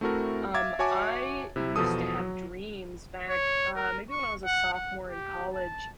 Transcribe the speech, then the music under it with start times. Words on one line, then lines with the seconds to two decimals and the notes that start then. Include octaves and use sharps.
Um, I used to have dreams back, uh, maybe when I was a sophomore in college
0.01 A3 C4 E4 F#4 A4 A#4
0.54 E5 F5 D6 G#6 A6
0.79 F#4 C#5 E5 G#5 A5 D6
1.56 C3 E4
1.76 E2 B2 F3 A4 D#6
2.19 F#3
3.30 C#5
3.76 A#4
4.11 C#6
4.45 F#5
4.73 F#5
5.09 G4
5.54 A5